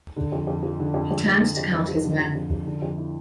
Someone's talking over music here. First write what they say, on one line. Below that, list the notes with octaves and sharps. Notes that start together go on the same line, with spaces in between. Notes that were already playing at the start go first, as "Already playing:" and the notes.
He turned to count his men.
D3
F2
F2
F3
D3
F2
F2
F3
D3
F2
F2
F3
D3
F2
F2
F3
D3
F2
E4